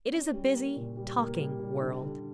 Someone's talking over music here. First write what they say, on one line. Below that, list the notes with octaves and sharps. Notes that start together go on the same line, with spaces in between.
It is a busy, talking world.
C#4
G3
A#3
A#2
G3
A#3
G3
G3
D3
D3